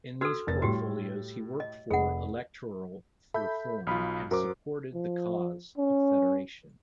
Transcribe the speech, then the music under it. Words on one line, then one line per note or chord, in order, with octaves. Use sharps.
In these portfolios he worked for electoral reform and supported the cause of Federation.
F#4 A4 E6 F6 G#6
F1 A#4 A6
A2 G3 F#4 G4
D#5
F1 G#4 D#5 F#5 B5
A4 E5 B5 G6
B1 F4 B5 D#6 F6
F#2 F#4 A#4 C5 D6
F3
C#4